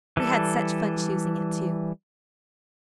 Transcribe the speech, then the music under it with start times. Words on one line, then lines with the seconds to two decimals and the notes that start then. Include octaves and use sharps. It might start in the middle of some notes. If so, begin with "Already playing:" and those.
We had such fun choosing it, too.
0.17 E3 G3 A4